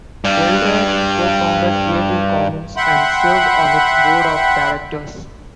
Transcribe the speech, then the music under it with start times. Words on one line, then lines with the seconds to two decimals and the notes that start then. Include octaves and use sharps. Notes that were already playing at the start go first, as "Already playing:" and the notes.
Eldred co-founded Creative Commons and served on its board of directors.
0.25 G2 G3
2.76 E5 F#5 G5 B5 C6 F#6